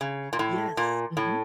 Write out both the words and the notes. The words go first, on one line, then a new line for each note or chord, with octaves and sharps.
Yes, mhm.
C#3
A#2
A2
A#2
A2